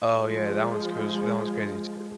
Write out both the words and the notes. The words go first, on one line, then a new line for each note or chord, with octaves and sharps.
Oh yeah, that one's cruz that one's crazy too.
F3 G#3